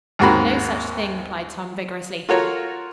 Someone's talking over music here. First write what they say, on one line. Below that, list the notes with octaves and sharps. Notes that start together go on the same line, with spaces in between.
"No such thing," replied Tom vigorously.
D#2 G#2 C4 F#4 A#4 B5
F4 F#4 A4 A#4 C#5